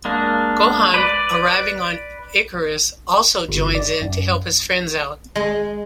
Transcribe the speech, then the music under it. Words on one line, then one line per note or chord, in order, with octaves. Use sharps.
Gohan, arriving on Icarus, also joins in to help his friends out.
G#3 A#3 D4
B4 D5
G1
D5
F#2
G#3